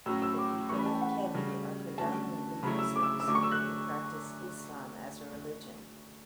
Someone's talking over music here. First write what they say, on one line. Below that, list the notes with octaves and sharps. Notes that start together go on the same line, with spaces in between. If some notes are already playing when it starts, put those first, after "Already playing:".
The people of Kebbi are predominantly Muslims who practice Islam as a religion.
A2 F#3 C#4 F#4 E6
E6
D6
E3 A3 C#4 C#6
B5
A5
G5
F#5
C#3 G3 C#4 F#4
D3 A3 C#4 F#4 A5
C#3 F#3 A3 C#4 E4 B5
E6
D6
E6
E6
D3 F#3 A3 D6
C#6
E6
F#6